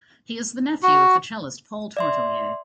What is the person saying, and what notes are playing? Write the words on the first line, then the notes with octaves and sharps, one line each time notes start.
He is the nephew of the cellist Paul Tortelier.
F#4
D5 E5 C6